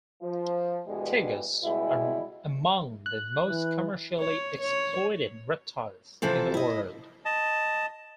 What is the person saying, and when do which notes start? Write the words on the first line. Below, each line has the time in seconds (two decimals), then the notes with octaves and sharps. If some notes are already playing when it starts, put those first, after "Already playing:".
Tegus are among the most commercially exploited reptiles in the world.
0.22 F3
0.87 D2 G2 B2 E3 G3 G#3
1.63 C#2 B2 G3 G#3 E4
3.06 F#6
3.48 E3
4.19 C#5
4.61 C#5
6.22 C3 E3 F3 C4 A4
6.54 E4 D#5
7.25 D#5 A5